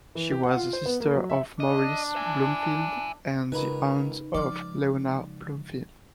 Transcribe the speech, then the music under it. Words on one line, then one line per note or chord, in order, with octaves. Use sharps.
She was the sister of Maurice Bloomfield and the aunt of Leonard Bloomfield.
E3
G4
F#5
F4
C5
B3
A#3
F#3
E5
D4 D#5
E5 G#5
C#2 C#3 D#4 A#4 B4 G#5 B5
F3 G#3 D5 D6 F6